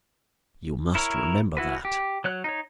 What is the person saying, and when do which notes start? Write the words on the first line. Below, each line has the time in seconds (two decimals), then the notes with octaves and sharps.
You must remember that....
0.95 E4 A#4 C#5
1.57 E4 F#4 B4
1.85 G4
2.24 F#3 C#5 F#6
2.44 D#4 C#5